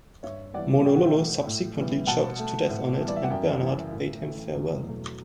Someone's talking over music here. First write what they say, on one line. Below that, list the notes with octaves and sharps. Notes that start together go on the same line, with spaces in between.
Monolulu subsequently choked to death on it and Bernard bade him farewell.
G2 C#5 E5
E3 G3 B3 D5 F#5
B2 G5
F#5
E5 G5
A3
A2
E3 G3 B3
B2 F#5 A5
A3
A2
E3 G3 B3
D5
E5
F#5
F#2 E5 G5
C#3 E3
A2
E3 A3
E2
B2 F#3 A3